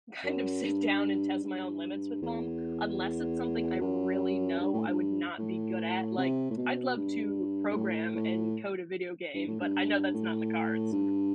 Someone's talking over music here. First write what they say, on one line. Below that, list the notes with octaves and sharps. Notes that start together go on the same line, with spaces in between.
kind of sit down, and test my own limits with them, unless it's something I really know I would not be good at, like, I'd love to program, and code a video game, but I know that's not in the cards,
F#2
G2
G2
E2
F#2
G2
A2
G2
A2
C3
A2
B2
G2
G2
A2
A2
G2
A2
G2
A2
G2